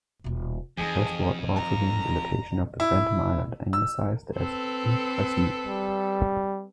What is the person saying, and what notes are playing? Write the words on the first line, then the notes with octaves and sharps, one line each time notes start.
West-ward also being the location of the phantom island, anglicized as, Hy-Brasil.
D#1 B2
F2 E3 D#4 G#4
A#5
E4
E6
C4 A4 B4
G3